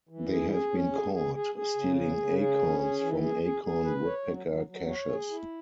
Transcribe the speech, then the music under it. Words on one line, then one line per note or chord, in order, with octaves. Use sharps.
They have been caught stealing acorns from acorn woodpecker caches.
E3
G#4
G#4
C#4
G#4
G#4
G#4
G#4
C#3
G#4
C#3
G#4
C#4
G#4
E3
G#4
G#4
G#4
B4
C#5
F#3
F#3
F#3
C#5
G#4
E4